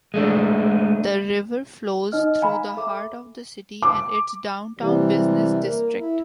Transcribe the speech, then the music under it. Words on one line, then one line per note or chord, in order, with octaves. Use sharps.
The river flows through the heart of the city and its downtown business district.
G#3 A3 D4
D#4 D#5 F6
F5 G#5 A#5 B5
A4 E5 D6
D6
C3 E3 G3
A#3
E4